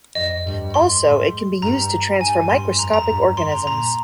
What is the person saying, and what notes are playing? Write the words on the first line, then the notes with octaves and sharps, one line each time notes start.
Also it can be used to transfer microscopic organisms.
F2 D#5
G2
C6
G#2
G2 A#5
G2 G#5
G2 C6
F2 A#5
A#5
G2
C6
A#5
A#2 A#5